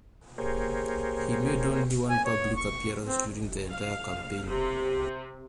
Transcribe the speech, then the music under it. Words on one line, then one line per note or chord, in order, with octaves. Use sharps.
He made only one public appearance during the entire campaign.
A#3 G4 G#4 A#4 C5 C#5
G#5
C#5
C#6
C4
F5
C3